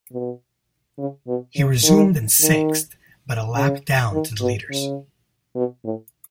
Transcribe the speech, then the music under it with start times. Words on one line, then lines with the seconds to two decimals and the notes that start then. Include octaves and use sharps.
He resumed in sixth but a lap down to the leaders.
0.13 B2
0.98 C#3
1.28 B2
1.56 C#3
1.84 D#3
2.41 D#3
3.55 C#3
4.12 D#3
4.41 B2
4.70 C#3
5.56 B2
5.84 A2